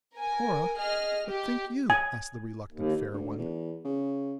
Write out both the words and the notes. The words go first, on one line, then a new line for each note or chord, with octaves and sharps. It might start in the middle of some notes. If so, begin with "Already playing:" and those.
"Cora, what think you?" asked the reluctant fair one.
A#4 G#5
G#4 D#5 F6
G4
G#5
D#2
D2
E2
C#3